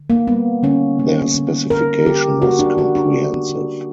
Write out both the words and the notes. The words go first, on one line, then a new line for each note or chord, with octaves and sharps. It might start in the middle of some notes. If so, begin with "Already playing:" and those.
Their specification was comprehensive.
Already playing: D3
A#3
G3 B3
D3 C#4
A#3
D3
A#3 A#4
D3 G4
A#3 F#4
D4
D3 F#4
D4
A#3
D3